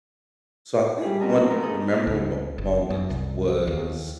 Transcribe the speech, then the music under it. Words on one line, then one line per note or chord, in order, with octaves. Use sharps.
so I think one memorable mo moment was
G3 G#3 G4 G#4
C4 C#4 F#4 A#4 D#5 A5
F3 E4 F4
A3 B3 C#4 D#4 F4 A#4
G#4 A4 D#6
C#2
F#1
F#2
C2
D#2